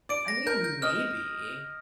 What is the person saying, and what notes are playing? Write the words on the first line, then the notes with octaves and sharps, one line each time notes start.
I mean, maybe.
D5 D7
A#6
A#4 G6
G6
D#5 F6